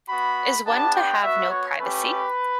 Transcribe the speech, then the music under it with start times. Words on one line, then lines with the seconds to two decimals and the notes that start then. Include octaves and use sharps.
Is one to have no privacy?
0.09 B3 F#4 B5
0.66 B3 D4 G4 A5
0.95 G5
1.23 B3 F#4 E5
1.51 C#5
1.79 A3 C#4 G4 B4